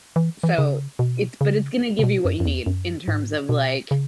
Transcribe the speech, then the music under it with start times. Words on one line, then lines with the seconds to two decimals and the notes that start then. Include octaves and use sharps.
So, it's but it's gonna give you what you need in terms of, like,
0.16 E3
0.43 E3
0.58 C#3
0.99 B2
1.41 C#3
1.99 C#3
2.03 B2
2.25 F#2
2.40 F#2
2.46 E2
2.66 F#2
3.08 G#2
3.49 B2
3.91 C#3